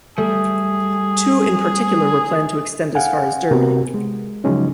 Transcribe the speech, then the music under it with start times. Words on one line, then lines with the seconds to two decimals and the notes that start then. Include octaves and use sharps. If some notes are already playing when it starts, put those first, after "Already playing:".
Two in particular were planned to extend as far as Derby.
0.18 G3 A3 G#4
2.95 F5 F#5 G#5
3.51 C3 B3 F#4 G4 A#4
3.94 G#3
4.44 C#3 F3 F#3 G#3 C#4 D#4